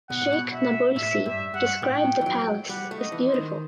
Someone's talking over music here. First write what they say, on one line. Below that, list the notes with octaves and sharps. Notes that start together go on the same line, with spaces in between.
Sheikh Nabulsi described the palace as beautiful.
B2 F#5
A2
B2
E5
A2 E5
G2 E5
G2 F#5
A2 G5
E3
F#3
G3 F#5
A3
D#5
E3
C5
D#3